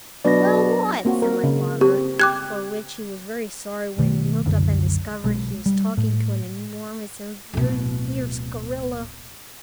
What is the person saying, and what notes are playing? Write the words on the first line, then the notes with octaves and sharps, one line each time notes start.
"Well what?" said my father, for which he was very sorry when he looked up and discovered he was talking to an enormous and very fierce gorilla.
B2 F#3 B3 D4 D5 A#6
A#3 C4 F#4
A#4
C#3
C4 G4
G4 D6 F#6 G#6
B1 B2 D#3 A3
F#1 C2 F#2 D3
B1 G#3
G3
A2
D1 B2